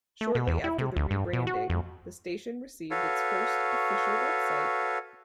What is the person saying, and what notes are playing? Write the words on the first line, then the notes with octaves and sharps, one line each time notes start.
Shortly after the rebranding, the station received its first official website.
A3
B2
E2
E4
C3
D2
G2
B2
F#4
F2
F#4 A4 B4 C#5 F5